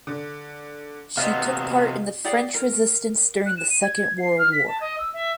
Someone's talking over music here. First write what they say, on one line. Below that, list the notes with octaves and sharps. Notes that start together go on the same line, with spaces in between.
She took part in the French Resistance during the Second World War.
D3
C3 B3 D#5 F5
G4 G#4 D5 F#5
A#4
F#6
E7
D#7
G#6
C7
F6
B6
A5
D#5
E6
E5